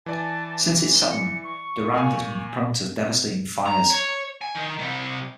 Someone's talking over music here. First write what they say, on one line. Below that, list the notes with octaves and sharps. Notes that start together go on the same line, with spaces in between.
Since its settlement, Durand has been prone to devastating fires.
E3 D5 G#5 A5
G7
C#7
C#6
A#2 F5 G#5
A#5
C#5
G#5
D#3
C3 G3